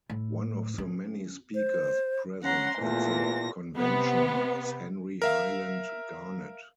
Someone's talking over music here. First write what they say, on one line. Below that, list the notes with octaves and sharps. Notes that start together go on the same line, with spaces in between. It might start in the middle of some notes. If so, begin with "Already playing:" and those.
One of the many speakers present at the convention was Henry Highland Garnet.
A2
C#4
C5
C#4 F#5 A#5 C6
E2 A#2 A3 A#6
C3 B3
A#4 E5 F5